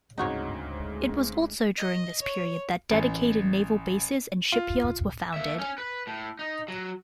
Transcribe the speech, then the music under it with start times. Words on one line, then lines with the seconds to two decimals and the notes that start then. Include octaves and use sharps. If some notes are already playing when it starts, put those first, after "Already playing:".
It was also during this period that dedicated naval bases and shipyards were founded.
0.18 D2 G#2 C#3 G#3 C4 D#4 F#4 C#5
1.79 D#5
2.22 C#5
2.91 A1
4.52 F4
5.34 A#3 E5
5.59 C#4
5.78 B4
6.07 A2
6.39 D#4
6.68 F#3